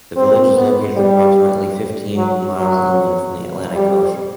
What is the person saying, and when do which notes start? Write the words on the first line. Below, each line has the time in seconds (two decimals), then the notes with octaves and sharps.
The village is located approximately fifteen miles inland from the Atlantic Ocean.
0.17 C4
0.56 B3
0.97 G3
2.17 F#3
2.57 F#3
3.76 G3